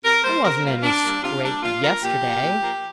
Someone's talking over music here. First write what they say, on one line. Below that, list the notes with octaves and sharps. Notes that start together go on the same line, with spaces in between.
"I wasn't in any scrape yesterday."
C3 A#4
G3 A#3 C5
C3 A#4
G3 A#3 F4
C3 D4
G3 A#3
C3 F4
G3 A#3 D4
A#2 F4
F3 A#3 A#4
A#2 G4
F3 A#3
A#2
F3 A#3